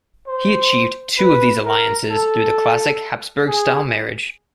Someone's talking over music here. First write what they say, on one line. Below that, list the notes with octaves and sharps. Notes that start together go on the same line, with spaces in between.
He achieved two of these alliances through the classic Habsburg style - marriage.
C5
B4
A#4
A4
G#4